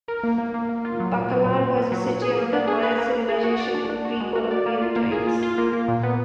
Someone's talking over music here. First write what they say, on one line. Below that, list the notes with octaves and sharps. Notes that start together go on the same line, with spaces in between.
Bacalar was a city of the Maya civilization in Pre-Columbian times.
A#4
A#3
A#3
A#3
A#3
F4
F#3
A#2
F#3
A#2
A#2
A#2
F#3
A#2
G#4
A#3
D4
G#4
B4
A#3
A#3
G#4
F#4
D5
D4
D4
F#4
G#3
F#4
D5
A#3
F4
A#3
G#4
F4
F4
A#3
A#3
A#2
B3